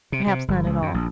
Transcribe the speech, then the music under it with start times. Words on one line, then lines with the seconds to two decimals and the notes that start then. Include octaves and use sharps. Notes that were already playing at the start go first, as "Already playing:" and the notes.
Perhaps not at all.
0.12 C3
0.27 C3
0.48 G1
0.66 C#2
0.82 F#2
0.94 A#1